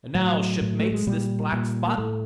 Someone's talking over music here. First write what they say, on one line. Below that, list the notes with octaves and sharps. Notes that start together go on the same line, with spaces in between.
And now, shipmates, this black spot?
A2 F#3
A2
A3
G#3
A#2 G3
A#2
A#3
A2 A3